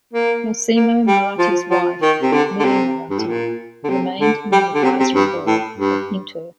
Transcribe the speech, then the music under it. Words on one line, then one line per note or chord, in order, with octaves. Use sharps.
Massimo Moratti's wife, Milly Moratti, remained in the Advisory Board of Inter.
A#3
A#3
G3
F3
F3
D#3
C3
D3
D3
C3
G2
A2
A#2
D3
C3
D3
G3
D3
C3
C3
G2
A2
G2